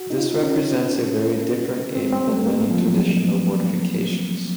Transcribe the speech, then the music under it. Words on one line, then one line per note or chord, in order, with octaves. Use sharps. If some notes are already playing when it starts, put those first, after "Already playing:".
This represents a very different aim than many traditional mortifications.
Already playing: F#4
D#4
F4
C#4
C4
C4
A3
A#3
F3
F#3